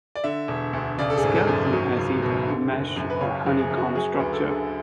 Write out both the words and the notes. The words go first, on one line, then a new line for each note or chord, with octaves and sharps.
The skeleton has either a mesh or honeycomb structure.
D5
D3 E5
E1
D2
C#3 D5
A4
G#4
G#1
A4
F#2
F#3
C#2
B2
D3
F#1
F#2
B4
C#3 C#5
F#1
G#4
F#2
F#4
F#3 G#4
B4
D2
A4
D3
G#4